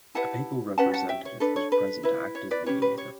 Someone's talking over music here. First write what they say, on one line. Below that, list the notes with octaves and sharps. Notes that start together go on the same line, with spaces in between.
A papal representative was present to act as mediator.
E4 G4 B4 F#5 A5
C#4 G4 B4 F#5 A5
F#5 A5
E5 G5
C#5
D4 A4 B4
C#5
B4
E4 B4
C#5
B4 D5
C#4 G4 B4 C#5
B4
C#5